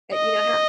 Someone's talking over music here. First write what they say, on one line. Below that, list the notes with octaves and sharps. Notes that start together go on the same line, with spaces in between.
uh, you know how
D#5